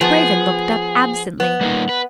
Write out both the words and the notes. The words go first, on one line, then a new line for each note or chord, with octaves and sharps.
Craven looked up absently.
F3 B3 G#4
B3
G3 A#3 D#4
B4